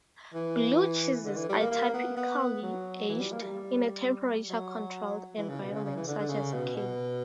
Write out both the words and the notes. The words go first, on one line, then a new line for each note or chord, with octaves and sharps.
Blue cheeses are typically aged in a temperature-controlled environment such as a cave.
E3
D3
E3
G3
A#3
A#3
B3
B3
F#3
E3
G3
A#3
G3
F#3
E3
C#3
B2
C#3
C#3
E3
D3
D3
C#3
B2
B2